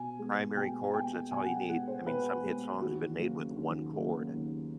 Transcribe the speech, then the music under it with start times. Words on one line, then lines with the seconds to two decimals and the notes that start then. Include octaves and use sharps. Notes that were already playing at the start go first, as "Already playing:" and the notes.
primary chords, that's all you need. I mean, some hit songs have been made with one chord.
Already playing: B2 G#5
0.19 G#3 B3
0.56 B2 G5
0.84 G#5
0.94 G#3 B3 G5
1.31 B2 G#5
1.45 F#5
1.50 G5
1.69 G#3 B3 F#5
1.88 C5
2.06 B2 B4
2.44 G#3 B3
2.81 D#2 F#4
3.19 C#3 F#3 A#3
3.56 D#2
3.94 C#3 F#3 A#3
4.31 D#2